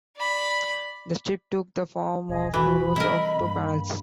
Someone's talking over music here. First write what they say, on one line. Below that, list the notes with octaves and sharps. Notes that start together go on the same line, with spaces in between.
The strip took the form of two rows of two panels.
D5 B5
E1 C2 G#4 D#5
E3 F#4 B5
C3 G3 C4 E4 A#4 D#5
G2 G3 A#3